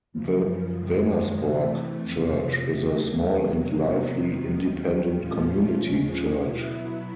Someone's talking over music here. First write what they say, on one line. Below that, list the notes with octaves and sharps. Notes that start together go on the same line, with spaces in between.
The Venersborg Church is a small and lively independent community church.
F#2 C#3 F3
F#2 D#3 G#3
C3 E3 A3
F2 C3 F3
D#2 C#3 F#3 A3
C3 D#3 F#3 A#3
C3 D#3 F#3 B3
D#2 D#3 G3
A#2 F3 A3 C#4 F4
D#2 C#3 F3 G#3 C#4
B2 F#3 B3 E4